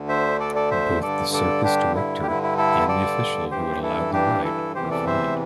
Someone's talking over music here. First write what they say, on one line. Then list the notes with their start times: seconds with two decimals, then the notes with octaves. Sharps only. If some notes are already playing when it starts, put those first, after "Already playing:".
Both the circus director and the official who had allowed the ride were fined.
Already playing: D2 D3
0.09 C5 E5
0.40 A4 D5
0.56 A4 D5
0.71 C5 E5
1.02 G2 D3 A4 D5
1.33 A4 D5
1.64 D4 G4
1.95 E4
2.22 G4
2.27 G2 D3 E4
2.43 E4
2.57 E4 A4
2.88 A4 D5
3.51 G2 E3 G4 C5
3.83 E4 A4
4.13 D4 G4
4.44 E4 A4
4.75 E2 C3 E3 G4 C5
4.91 A4 D5
5.07 C5 E5